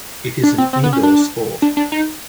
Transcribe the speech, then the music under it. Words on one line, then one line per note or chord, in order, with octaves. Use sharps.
It is an indoor sport.
D4
C4
C4
B3
C#4
D4
D4
D4
D#4